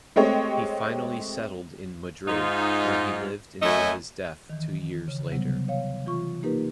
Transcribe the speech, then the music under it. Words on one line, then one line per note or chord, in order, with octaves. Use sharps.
He finally settled in Madrid, where he lived until his death two years later.
G#3 A3 C4 G4 C#5 D#5
G#2 D#4 F4
F#2 F#3 A3 D#5 E5 G#5
D#3 E3
C#3
C3 F#3 G3 B3
C#5 F5
E3 F4 C#6
A#3 D#4 G4 A#4 B4